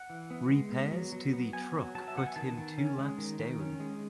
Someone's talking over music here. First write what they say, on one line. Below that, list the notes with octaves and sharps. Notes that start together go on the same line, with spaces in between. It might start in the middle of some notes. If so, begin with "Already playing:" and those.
Repairs to the truck put him two laps down.
Already playing: F#5
E3
B3
G#3
B3
F#3
F#3
B3
B3 G#5
F#3
F#3 A5
E5
B3 F#5
G#5
D#3 A5
D#3
C#4
G#3
D#3
D#3
C#4
G#3